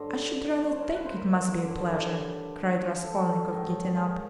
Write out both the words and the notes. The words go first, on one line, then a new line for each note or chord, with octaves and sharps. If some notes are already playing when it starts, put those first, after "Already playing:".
"I should rather think it must be a pleasure!" cried Raskolnikov, getting up.
Already playing: G2 D3 F#3 C5
C#5
C5
A#4
B4
C5
A#4
G2 D3 F#3
A4
G#2 D#3 F#3
G#4